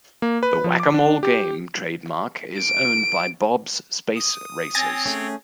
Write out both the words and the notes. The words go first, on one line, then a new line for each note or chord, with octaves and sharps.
The Whac-A-Mole game trademark is owned by Bob's Space Racers.
A#3
B4
F3
D6
D4
G4
D7
D#6
C4 C#5 G#5 A6 A#6
A3 C#4 G#4